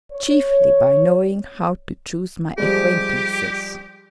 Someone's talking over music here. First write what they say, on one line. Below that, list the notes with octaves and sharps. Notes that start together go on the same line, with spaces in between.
Chiefly by knowing how to choose my aquaintances.
C#5
F3 G3 G#3 G4